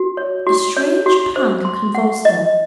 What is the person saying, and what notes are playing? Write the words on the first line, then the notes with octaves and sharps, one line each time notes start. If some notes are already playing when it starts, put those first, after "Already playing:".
A strange pang convulsed her.
Already playing: F#4
C#5
F#4
C#5
F#4
C5
C6
F#5
D#5